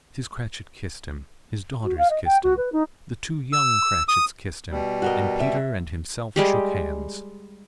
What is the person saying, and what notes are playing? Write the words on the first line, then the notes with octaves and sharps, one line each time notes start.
Mrs. Cratchit kissed him, his daughters kissed him, the two young Cratchits kissed him, and Peter and himself shook hands.
F#4
F5
D#5
G5
F#4
B4
D#4
E6
D#6
B2 G3
F#4 A#4 D#5
E5
G3 G#3 G4